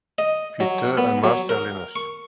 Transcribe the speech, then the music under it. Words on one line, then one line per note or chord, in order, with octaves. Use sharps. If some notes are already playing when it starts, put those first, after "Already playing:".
Peter and Marcellinus.
D#5
F#3
B3
F#3
A#4
C#6